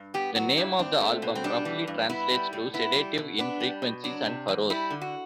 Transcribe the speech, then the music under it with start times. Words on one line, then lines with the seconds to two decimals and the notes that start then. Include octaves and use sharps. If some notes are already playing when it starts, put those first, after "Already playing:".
The name of the album roughly translates to sedative in frequencies and furrows.
Already playing: G2
0.14 B3 G4
0.36 F#3 F#4
0.57 G2 E4
0.79 C4 D4
1.01 A3
1.22 B2
1.35 C4
1.44 G3 D4
1.65 E3
1.87 G2
2.09 B3 E4
2.31 G3
2.53 A2
2.74 B3 E4
2.96 G3
3.18 B2
3.39 B3 D4
3.60 G3
3.82 B2
4.04 F#3 D4
4.26 C3
4.48 E2
4.70 G3 E4
4.90 D3
5.01 F#4